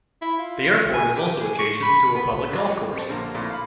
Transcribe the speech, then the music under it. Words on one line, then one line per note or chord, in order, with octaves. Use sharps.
The airport is also adjacent to a public golf course.
E4
F4
G#5
G4
G#4
C#6
B5
B3
A1 F#3 F4 D6
C#5
C4 G4 A5
A#1 D3 A#3 C5 A#5
F2 A#2 A3 E4 C6
F5 B5